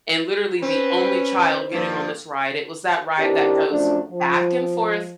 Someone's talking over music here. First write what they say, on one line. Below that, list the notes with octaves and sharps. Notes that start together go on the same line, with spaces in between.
and literally, the only child getting on this ride. It was that ride that goes back and forth,
C4 C#4 B4
C3
G2 F3 A#3
D#3 C4 D4 E4 G4 A#4
F#2 F3 A3 D4
F3